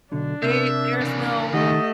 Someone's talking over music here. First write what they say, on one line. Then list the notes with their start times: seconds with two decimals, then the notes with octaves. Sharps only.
they there's no
0.12 B1 D3 D4
0.43 C3 A#4 E5 F6 G6
1.01 C#3 E3
1.53 D#3 A3 G4 D#5 F#5